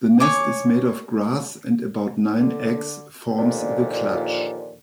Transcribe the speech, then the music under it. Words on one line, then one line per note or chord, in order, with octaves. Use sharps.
The nest is made of grass and about nine eggs forms the clutch.
C#5 G#5 D6
D3
D#2 A#2 D3 F3